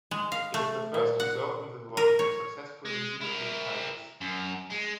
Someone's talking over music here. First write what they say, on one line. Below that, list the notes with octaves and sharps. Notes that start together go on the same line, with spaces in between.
It is the first reserve in the world to have successfully relocated tigers.
G#3
F5
A3
A#2
F#5
A#4
C#5
G#3
E4 A#4
F#2
G#3